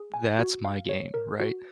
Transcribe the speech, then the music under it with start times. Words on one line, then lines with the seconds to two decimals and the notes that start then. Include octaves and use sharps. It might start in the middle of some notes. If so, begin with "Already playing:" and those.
that's my game, right?
Already playing: G#4
0.14 G#5
0.39 F#4
0.65 F5
0.89 C#5
1.14 A#4
1.40 F#4